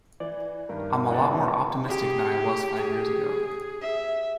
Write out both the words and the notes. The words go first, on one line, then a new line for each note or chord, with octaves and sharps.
I'm a lot more optimistic than I was five years ago.
E3 D5
G2 D#3 A#4
G#1 E2 D#5 F#5 A5
G4 G#4
G#4
E5